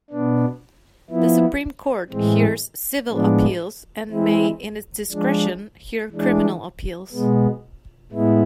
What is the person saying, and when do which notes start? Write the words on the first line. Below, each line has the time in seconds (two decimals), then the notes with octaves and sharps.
The Supreme Court hears civil appeals and may in its discretion hear criminal appeals.
0.10 B2 B3 D4
1.10 F3 B3 E4
2.10 A2 E3 G#3 C4
3.11 A2 F3 G#3 B3 D4
4.10 E3 G#3 C4 E4
5.11 F3 G#3 D4
6.12 E3 G#3 D4
7.12 B2 G#3 B3
8.12 A2 G#3 B3 E4